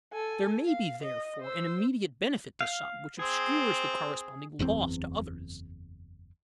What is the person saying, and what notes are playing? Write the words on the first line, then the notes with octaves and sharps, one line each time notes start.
There may be, therefore, an immediate benefit to some, which obscures the corresponding loss to others.
A4 G#5
F5
D#5
C5 E6
F5
C4 G#4
F#1 E2 G#2 C4